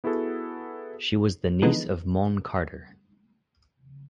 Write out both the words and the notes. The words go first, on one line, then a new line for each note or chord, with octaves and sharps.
She was the niece of Maughan Carter.
B3 E4 F#4 G#4 A4
D3 E3 F3 G#3 B3 D#4